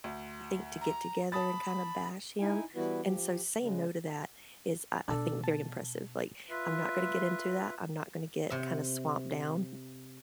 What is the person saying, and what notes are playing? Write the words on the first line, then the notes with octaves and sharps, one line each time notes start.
think, to get together and kind of bash him, and so saying no to that is, I I think very impressive, like, "I'm not gonna get into that, I'm not gonna get kinda swamped down
D2
A#5
A5 B5 D#6 A6
D#4 E4 G#5
E3 G3 B3 E4 F#4 B4
F3 G4
C#3 G#3
B2 B3 D4 A4
A5
F4 B4 E5
C3 E5